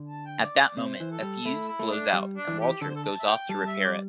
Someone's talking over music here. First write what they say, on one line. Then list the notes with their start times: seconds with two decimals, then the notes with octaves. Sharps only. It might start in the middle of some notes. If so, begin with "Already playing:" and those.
At that moment, a fuse blows out, and Walter goes off to repair it.
Already playing: D3
0.08 A5
0.26 G5
0.42 D5
0.60 D5
0.77 C3 C5
1.00 E3
1.11 A4
1.22 G3
1.45 A3 E4
1.68 E4
1.79 A3
1.91 D4
2.13 G3
2.36 D4
2.48 E3
2.59 G4
2.81 D3 A4
2.88 C5
2.96 A4
3.04 A5
3.19 E5
3.27 G5
3.49 G3 A5
3.66 E5
3.85 D5